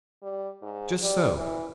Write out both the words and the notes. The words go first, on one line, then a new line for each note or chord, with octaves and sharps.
Just so.
G3
G#2
G3
E3